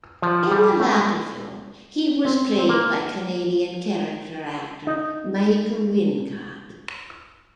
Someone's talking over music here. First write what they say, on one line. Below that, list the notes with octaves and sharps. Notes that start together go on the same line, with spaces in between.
In the latter film, he was played by Canadian character actor Michael Wincott.
F3
G3
A3
C4
C4
A#3
D#4